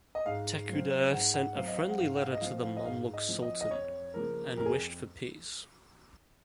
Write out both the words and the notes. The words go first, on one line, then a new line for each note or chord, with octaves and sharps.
Tekuder sent a friendly letter to the Mamluk sultan and wished for peace.
D#5
G#2 F5
F#3 C4
G#2 F#5
F#5
F#3 C4 F5
D#5
F5
F#5
G#2 F5
F#5
F5
D#5
F3 C4 F5
F5
D#5
G#2 F5
D#5
F3 C4
D#5
D#5
F2 C#5
C#3 F3 A#3 A#4
F2 A#4
G#4